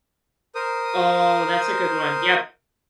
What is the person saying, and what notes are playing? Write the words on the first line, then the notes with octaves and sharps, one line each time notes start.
Oh, that's a good one. Yep.
A#4 C5 D#6